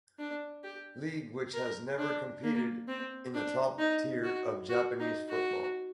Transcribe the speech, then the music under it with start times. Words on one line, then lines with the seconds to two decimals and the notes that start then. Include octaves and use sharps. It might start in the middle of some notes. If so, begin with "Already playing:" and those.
League which has never competed in the top tier of Japanese football.
0.19 D4
0.64 G4
1.54 A#4
1.98 D4
2.43 A#3
2.88 C4
3.34 D4
3.78 D#4
4.24 F#4
4.69 F#4
5.00 D#4
5.29 F#4